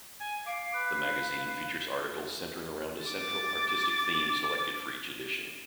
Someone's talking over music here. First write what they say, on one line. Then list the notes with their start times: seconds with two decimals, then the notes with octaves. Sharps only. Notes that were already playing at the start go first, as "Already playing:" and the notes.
The Magazine features articles centering around a central artistic theme selected for each edition.
0.20 G#5
0.46 F5 D6
0.74 B4
3.05 D6 A6